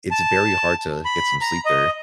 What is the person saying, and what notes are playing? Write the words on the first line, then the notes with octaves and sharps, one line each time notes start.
it's very hard to get some sleep there.
A5
B5
A#5
D#5